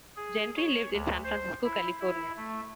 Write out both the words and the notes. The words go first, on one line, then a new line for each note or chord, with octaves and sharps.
Gentry lived in San Francisco, California.
G#4
C#5
D2
C5
E4
E4
A3